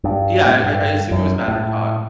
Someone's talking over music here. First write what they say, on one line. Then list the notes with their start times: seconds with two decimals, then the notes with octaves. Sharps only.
Yeah, I I I assume it was battered cod.
0.04 G2
0.44 A2
0.64 G2
1.11 F#2
1.48 A2